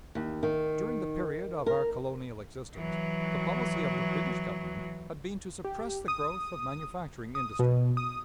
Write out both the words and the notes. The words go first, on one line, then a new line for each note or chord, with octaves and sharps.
During the period of our colonial existence, the policy of the British Government had been to suppress the growth of manufacturing industry.
D#2
D#3
A#4
E3 F#3
G4
D#6
D#6
B2
D#6